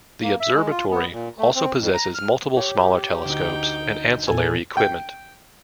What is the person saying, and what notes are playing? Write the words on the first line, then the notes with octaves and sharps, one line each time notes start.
The observatory also possesses multiple smaller telescopes and ancillary equipment.
A#3
E5
G#3
F4
B3
A#2
A3
C4
F2
A#5
F6
G4 C#5
D2 D#4 G5
E2 A#2 A4 G#5
G5